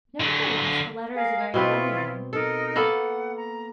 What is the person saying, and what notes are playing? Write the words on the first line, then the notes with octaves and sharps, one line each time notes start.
Nevertheless the letter is a very friendly one.
D3 F#3
G#4 A#4 F5
B2 C4 E4 F4 B4 C#5
D#4 A4 A#4
A#3 B3 A4 F#5
A#5